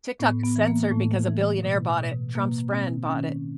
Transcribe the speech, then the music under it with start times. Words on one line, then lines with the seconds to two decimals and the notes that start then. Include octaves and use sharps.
TikTok is censored because a billionaire bought it. Trump's friend bought it,
0.19 A2 B3
0.43 B3
0.56 E3
0.67 A#3
0.91 A2 A3
1.27 E3
1.63 B2
2.00 B2
2.35 B2 A#3
2.71 B2 C4
3.07 D#3 C#4